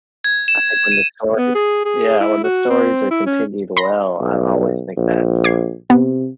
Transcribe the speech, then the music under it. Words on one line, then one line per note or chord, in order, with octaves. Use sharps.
I think when the stories Yeah, when the stories are continued well, I always think that's
G#6
E7
D#7
B3
G#4
G#4
E4
F#4
C4
E4
C#4
B5 C6 A#6
B1
A#1
D6 G#6 C7
C3 B3